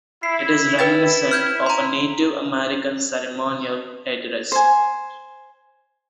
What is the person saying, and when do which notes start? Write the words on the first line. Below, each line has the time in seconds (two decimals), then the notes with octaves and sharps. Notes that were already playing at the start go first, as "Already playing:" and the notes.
It is reminiscent of a Native American ceremonial headdress.
0.23 E4 C7
0.79 B4 G5 A6
1.31 F6 G6 G#6
1.66 A#5 C6
4.52 C5 G#5